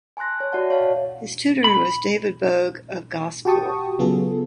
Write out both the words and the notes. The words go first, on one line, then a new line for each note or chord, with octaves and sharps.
His tutor was David Bogue of Gosport.
G#5 A5 C6 F#6 A#6
C#5
F#4 D5 E5 F#5 A5
C#5 F5 A5
B5
F#4 G4 G5 A5 C#6 D#6
C#3 F#3 B3 F4 G#4 A4